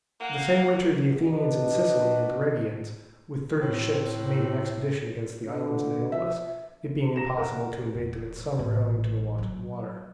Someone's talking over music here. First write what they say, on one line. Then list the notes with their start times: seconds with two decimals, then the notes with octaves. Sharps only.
The same winter the Athenians in Sicily and the Rhegians, with thirty ships, made an expedition against the islands of Aeolus; it being impossible to invade them in summer, owing to the want of water.
0.21 A#3 F#5
1.21 D4 F#4 B4 D#5
3.60 A2 C4
5.47 D3
6.12 F3 E5
7.16 A#5 A#6 E7
7.37 A#4 F#5
7.95 E1
8.59 A1
9.38 F#3